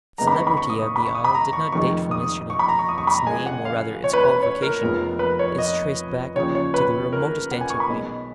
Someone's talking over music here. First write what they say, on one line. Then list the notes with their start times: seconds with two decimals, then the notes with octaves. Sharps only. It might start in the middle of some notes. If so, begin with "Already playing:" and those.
The celebrity of the isle did not date from yesterday; its name, or rather its qualification, is traced back to the remotest antiquity.
0.18 F#1 F#2 D#3 G#3 B3 A#5
0.27 B5
0.38 C#6
0.47 B5
0.57 C#6
0.70 D#6
0.82 C#6
0.96 B5
1.06 C#6
1.15 D#6
1.24 B5
1.35 A#5
1.53 C#6
1.72 F1 F2 D#3 G#3 C#6
2.11 D#6
2.50 C#6
2.59 B5
2.69 A#5
2.79 C#6
2.89 D#6
2.98 C#6
3.07 B5
3.17 A#5
3.27 C#2 C#3 G#3 G#5
3.46 F#5
3.65 F5
4.04 C#5
4.13 B4
4.24 B4
4.42 C#5
4.62 A#4
4.81 F1 F2 F3 G#3 B3
5.19 B4
5.39 C#5
5.58 D#5
6.36 D#2 C#3 F3 C#5
6.55 C#5
6.74 B4
7.13 A#4
7.51 F#5
7.61 G#5
7.70 C#6
7.80 B5
7.90 B1 B2 G#3